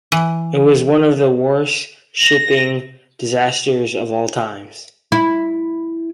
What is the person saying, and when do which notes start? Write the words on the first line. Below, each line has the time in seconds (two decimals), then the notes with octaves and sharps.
It was one of the worst shipping disasters of all times.
0.12 E3
2.20 A#6
5.12 E4